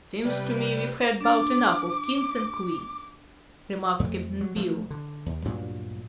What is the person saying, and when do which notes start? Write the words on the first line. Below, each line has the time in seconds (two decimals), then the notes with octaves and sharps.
"Seems to me we've had 'bout enough of kings an' queens," remarked Cap'n Bill.
0.24 C3 G3 B4 G5
1.21 D4 D6 A6
4.00 F2 A3
4.41 F#3
4.56 F3 G#3 A3
4.90 D3
5.26 D#2
5.45 D2 G2 A#2 F#3